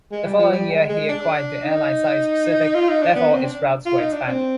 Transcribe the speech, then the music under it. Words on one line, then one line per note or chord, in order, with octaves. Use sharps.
The following year he acquired the airline Southeast Pacific, therefore its routes were expanded.
G#3
G3
F3
G3
G#3
G#3
D4
D#4
F4
D#4
D4
B3
C4
D4
F4
D#4
D4
C4